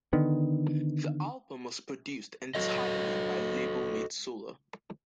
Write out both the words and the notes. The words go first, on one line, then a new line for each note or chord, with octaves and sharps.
The album was produced entirely by labelmate Solar.
D3 D#3 B3
F#4 A4 D#5